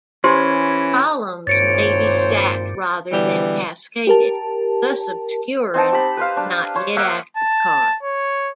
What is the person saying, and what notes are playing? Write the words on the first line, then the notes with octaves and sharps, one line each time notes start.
Columns may be stacked rather than cascaded, thus obscuring not-yet-active cards.
E3 C#4 G4 C5 C6
G#1 G2 A#2 C5 C#5 A6 C#7 D7
B2 D3 E3 G3
G4 A#4 A5
C4 D#4 F#5 A5
G4 B5
B4 C5 F5
D4
C5 C#5 C#6
A#3 E5 F#5
A5
C#5